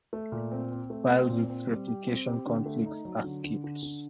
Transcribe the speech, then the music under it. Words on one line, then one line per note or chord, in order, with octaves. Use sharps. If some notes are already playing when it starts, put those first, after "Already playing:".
Files with replication conflicts are skipped.
A3
A#2
C4
C4
A3
C4
A#2
C4
G3
G4
C4
G4
D3
A3
D#4
F#3
D3
D3
D3
D3